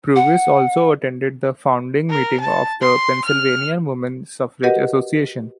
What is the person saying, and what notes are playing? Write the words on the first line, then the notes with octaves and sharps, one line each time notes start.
Purvis also attended the founding meeting of the Pennsylvania Woman Suffrage Association.
F#5
A#4
A5
C6
F6
F#4 G4 A#4 B4 D#5 F#5